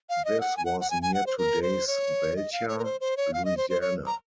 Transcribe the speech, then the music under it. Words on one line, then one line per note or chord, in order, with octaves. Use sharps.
This was near today's Belcher, Louisiana.
F5
D#5
F#5
G#5
F#5
F#5
G#5
G#5
F#5
C5
A#4
C5
C#5
D#5
F5
C#5
A#4
C5
C5
C#5
F5
D#5
C5
C5
C#5
A#5